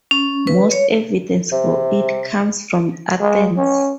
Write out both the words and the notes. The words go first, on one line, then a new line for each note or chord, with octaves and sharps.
Most evidence for it comes from Athens.
C#4
B4
C#5
C3
G#3
C#4